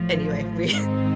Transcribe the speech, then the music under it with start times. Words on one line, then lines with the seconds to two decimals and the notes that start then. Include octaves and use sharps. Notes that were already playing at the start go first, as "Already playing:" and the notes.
Anyway, we
Already playing: A1 A2 F3
0.70 G#2 D#3 G#3 C4 D#4